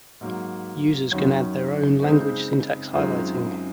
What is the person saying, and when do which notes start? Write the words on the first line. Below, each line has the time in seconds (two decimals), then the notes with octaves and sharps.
Users can add their own language syntax highlighting.
0.21 G#2 F#3 A#3
1.11 F#2 D#3 F#3 C#4
2.02 C#2 C#3 G#3 C4 D#4
2.93 F#2 D#3 G#3 C4 F4